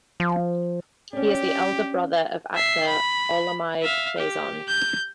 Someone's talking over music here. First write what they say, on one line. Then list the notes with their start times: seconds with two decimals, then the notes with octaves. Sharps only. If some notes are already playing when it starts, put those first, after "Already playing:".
He is the elder brother of actor Olamide Faison.
0.20 F3
1.13 C#4 D4 G4
2.55 E5 C7
2.87 B5
3.83 E5 F5
4.18 G4
4.68 G6